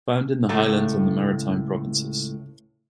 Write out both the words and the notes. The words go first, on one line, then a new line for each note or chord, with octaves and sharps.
Found in the highlands and the maritime provinces.
C#2 A2 A3 A#5